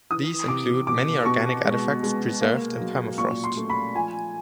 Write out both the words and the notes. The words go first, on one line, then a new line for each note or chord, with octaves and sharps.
These include many organic artifacts preserved in permafrost.
E3 D#6
C3 D6
B2 D6
B2 C#6
G#3
G#3
A#3
F#3
A#2 C#6
C6
A3
B5
F3 G#5